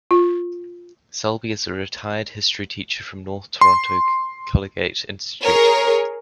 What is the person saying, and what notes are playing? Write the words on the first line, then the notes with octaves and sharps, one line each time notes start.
Selby is a retired history teacher from North Toronto Collegiate Institute.
F4
C6
G#4 A#4 C#5